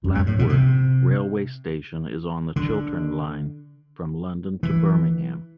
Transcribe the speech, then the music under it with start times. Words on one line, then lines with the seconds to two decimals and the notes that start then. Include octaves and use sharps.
Lapworth railway station is on the Chiltern line from London to Birmingham.
0.04 F#2
0.15 G2
0.26 A2
0.39 B2
0.49 C3
2.56 D3
4.63 E3